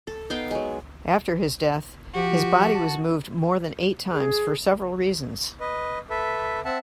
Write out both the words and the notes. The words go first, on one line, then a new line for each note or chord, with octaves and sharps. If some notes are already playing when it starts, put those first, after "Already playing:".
After his death, his body was moved more than eight times for several reasons.
A4
B3 D#4 F5 G5
F#3 G#3
F3 F#4 G4
A5
G#4
B4 D#5
A4 B4 E5
C4 E5 F#5 A5